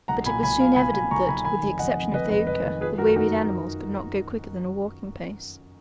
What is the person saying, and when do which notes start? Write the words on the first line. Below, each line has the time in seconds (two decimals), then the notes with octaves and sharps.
But it was soon evident that, with the exception of Thaouka, the wearied animals could not go quicker than a walking pace.
0.08 B1 F#5 A#5
0.25 A#2 G#5 B5
0.43 B1 G#5 B5
0.59 F3 F5 G#5
0.76 B1 G#5 B5
0.94 B1 G#5 B5
1.11 B1 A#5 C#6
1.28 B1 G#5 B5
1.45 D#3 G#5 B5
1.63 F1
1.79 F1 D#5 F#5
1.97 F2
2.13 F1 B4 D#5
2.30 F1 B4 D#5
2.47 F1 B4 D#5
2.65 D#3
2.81 F3 G#4 B4
2.98 F#2 F#4 A#4
3.16 F#2 D#4 F#4